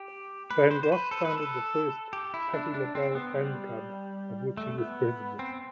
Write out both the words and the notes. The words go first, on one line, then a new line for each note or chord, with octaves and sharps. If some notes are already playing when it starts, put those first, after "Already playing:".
Vandross founded the first Patti LaBelle fan club, of which he was president.
Already playing: G4
B4
C5
C5
B4
A4
B4
A4
G4
E4
D4
D4
C4
B3
G3
A3
B3
C4